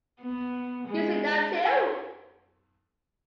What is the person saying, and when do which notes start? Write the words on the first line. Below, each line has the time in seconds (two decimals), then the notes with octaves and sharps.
You sit down too.
0.22 B3
0.87 G#3
1.65 F#5 G#5 E6 G#6 D7 D#7